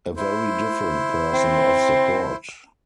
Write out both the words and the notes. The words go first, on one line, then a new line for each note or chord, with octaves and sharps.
A very different person off the court.
E4 C5
C4